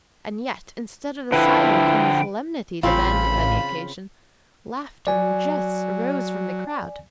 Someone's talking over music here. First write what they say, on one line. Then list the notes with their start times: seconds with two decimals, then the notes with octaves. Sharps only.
And yet, instead of the silence and the solemnity demanded by the occasion, laughter and jests arose from the crowd.
1.32 D3 F3 E4 B4 G5
2.83 A1 C#3 C4 F4 B5
5.07 F#3 D5 G#5